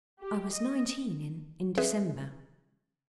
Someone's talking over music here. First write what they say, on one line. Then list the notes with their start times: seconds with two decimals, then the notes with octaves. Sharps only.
"I was nineteen in--in December."
0.21 G4
0.53 D#5
1.78 C4 G#4 B4 E5